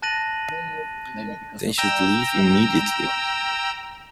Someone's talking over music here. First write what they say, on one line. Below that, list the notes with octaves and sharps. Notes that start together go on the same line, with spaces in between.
They should leave immediately.
A5 F#6 A6 A#6 D#7 F#7
G5 A#5 E6